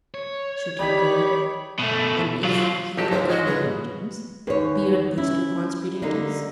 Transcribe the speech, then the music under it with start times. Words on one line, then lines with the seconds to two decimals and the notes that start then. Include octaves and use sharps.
Should he go and--if he could gain admittance--beard these two conspirators?
0.14 C#5
0.79 G#2 D#4 G4 D5 B5 B6
1.79 B2 A3
2.44 F#3 F4
2.97 A1 F3 F#3 D#4 G4 A5
3.11 C#2 G#2 G#4 C5
3.30 G#3 F#4 C#5 D#5
3.46 G3 G#4 B4
4.47 D#2 G#4 B4 C#5
5.18 C#4 E4
6.02 D3 G3 A#3 D#4